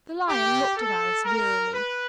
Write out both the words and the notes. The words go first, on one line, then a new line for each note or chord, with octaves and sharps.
The Lion looked at Alice wearily.
G4
A4
A#4
B4